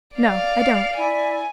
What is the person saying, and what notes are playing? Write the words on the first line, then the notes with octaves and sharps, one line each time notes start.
"No, I don't."
D5 F5
E4 D5 G#5